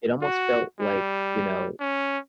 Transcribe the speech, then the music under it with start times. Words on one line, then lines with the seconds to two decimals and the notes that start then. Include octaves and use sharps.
it almost felt like, you know,
0.22 F#4
0.80 G3
1.80 C#4